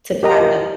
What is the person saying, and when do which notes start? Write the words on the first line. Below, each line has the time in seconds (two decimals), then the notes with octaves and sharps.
to kinda
0.23 G4 A#4 D#5 A#5